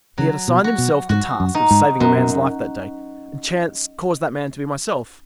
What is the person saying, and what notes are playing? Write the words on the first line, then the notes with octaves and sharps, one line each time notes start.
He had assigned himself the task of saving a man's life that day; chance caused that man to be myself.
C#3 F#3
B2
F#4
B2
G#2 F#4
F#2
D#4
G#2
F#2 B2